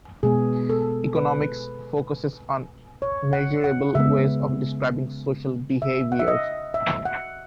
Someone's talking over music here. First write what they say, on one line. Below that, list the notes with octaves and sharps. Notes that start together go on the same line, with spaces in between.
Economics focuses on measurable ways of describing social behavior.
B2 G#3 B3 G#4
A4
B4
C#5
F#5
F#5
C#3 G#3 B3 E5
E5
F#5
E5
D#5
E5
F#5